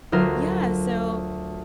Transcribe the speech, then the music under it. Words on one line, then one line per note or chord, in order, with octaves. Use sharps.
Yeah, so
D2 F#3 F4 A#4